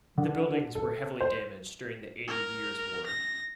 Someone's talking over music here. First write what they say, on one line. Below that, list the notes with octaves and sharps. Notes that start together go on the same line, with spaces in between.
The buildings were heavily damaged during the Eighty Years War.
D3
A4
C5
A#4
A#6